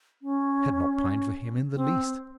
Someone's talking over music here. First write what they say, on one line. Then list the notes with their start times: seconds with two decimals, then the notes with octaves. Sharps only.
I had not pined for him in the least.
0.22 C#4
1.74 C4